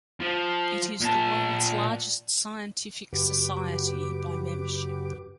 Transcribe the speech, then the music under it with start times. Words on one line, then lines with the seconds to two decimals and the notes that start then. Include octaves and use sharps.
It is the world's largest scientific society by membership.
0.20 F3
1.01 A#2 A5
3.13 F#2 C#3 F#4 G4 B4 D6